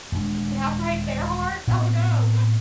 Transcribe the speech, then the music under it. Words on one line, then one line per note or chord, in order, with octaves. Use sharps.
"Did I break their hearts? Oh, no."
D#1 E2 G#3 D4
A2 B3 C4